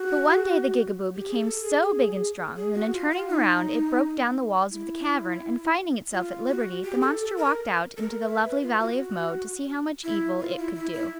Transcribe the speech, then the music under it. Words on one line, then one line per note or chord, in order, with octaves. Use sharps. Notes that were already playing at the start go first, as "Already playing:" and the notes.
But one day the Gigaboo became so big and strong that in turning around it broke down the walls of the cavern, and finding itself at liberty, the monster walked out into the lovely Valley of Mo to see how much evil it could do.
Already playing: F#4
G4
G#4
A4
G#4
G#4
F#4
F4
F4
D#4
E4
F4
F#4
G4
A4
A4
A#4
A4
A#4
E5
B4
F4
F#4
E4
F4
E4
E4
E4